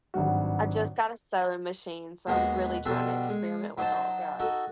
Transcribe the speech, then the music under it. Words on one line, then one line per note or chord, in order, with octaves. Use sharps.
I just got a sewing machine, so I'm really trying to experiment with all of that.
G#1 G2 F#3 F#4
D#2 G#3 B3 D#4 F#4 F#5
B2 F3 G3 D4 A4
G#3
F#3 D#4 C5 A5
D#4 F#4 A4